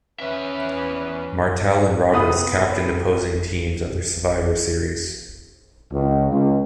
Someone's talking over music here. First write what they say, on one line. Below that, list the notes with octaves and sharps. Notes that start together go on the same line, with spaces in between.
Martel and Roberts captained opposing teams at the Survivor Series.
E2 C#4 B4 E5
C3 A3 B3 F4 B4 D#6
C#2
C#2